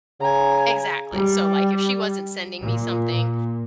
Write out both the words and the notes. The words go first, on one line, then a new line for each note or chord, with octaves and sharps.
Exactly. So, like, if she wasn't sending me something,
C#3 G#5 A#5
G3
A#2